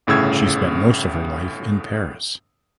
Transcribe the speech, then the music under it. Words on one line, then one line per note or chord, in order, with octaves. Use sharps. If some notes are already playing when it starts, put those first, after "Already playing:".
She spent most of her life in Paris.
G1 A2 C#3 E6 G#6